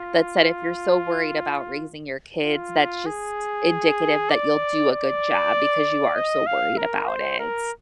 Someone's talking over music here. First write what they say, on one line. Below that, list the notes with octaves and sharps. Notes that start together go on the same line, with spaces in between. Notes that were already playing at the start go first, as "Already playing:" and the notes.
that said, "If you're so worried about raising your kids, that's just indicative that you'll do a good job, because you are so worried about it."
Already playing: F4
F4
G#4
D5
D5
D#5
F5
A#4
C5
A#4